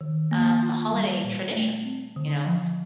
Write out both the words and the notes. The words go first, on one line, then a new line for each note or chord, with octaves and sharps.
um, holiday traditions, you know?
D#3
A#3
F4
G3
A#2
A3
C4
D3
F3